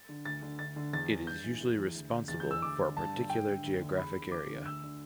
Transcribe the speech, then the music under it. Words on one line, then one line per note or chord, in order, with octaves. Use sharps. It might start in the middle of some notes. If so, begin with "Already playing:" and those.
It is usually responsible for a particular geographic area.
Already playing: A6
D3
D2 A6
D3
D2 A6
D3
E2 A6
E3
G2 G6
E3
E2
E3
D2
D3
E2 A6
G6
E3
E6
D2 D6
D3
G2 A5
D3
G2 G5
D3
D2
D3
E2 B5
D3
D2 D6
D3
D2 E6
D3